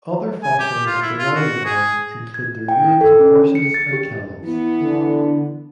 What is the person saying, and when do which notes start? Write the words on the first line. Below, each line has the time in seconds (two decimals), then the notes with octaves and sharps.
Other fossils at the "Rhino Barn" include the remains of horses and camels.
0.43 G#5
0.59 G4
0.87 F4
1.02 E4
1.18 F4
1.35 F#4
1.65 G#4
2.34 G#6
2.68 G5
3.01 A4
3.19 C#4
3.55 C#7
3.74 A6
3.93 G4
4.43 E3 B3
4.80 D3